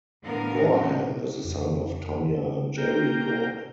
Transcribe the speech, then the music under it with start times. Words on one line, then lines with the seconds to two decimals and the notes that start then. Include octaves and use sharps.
Gorham is the son of Tonya and Jerry Gorham.
0.23 A2 D3 B3 A#4 F5
1.44 F2
2.78 A#3 G5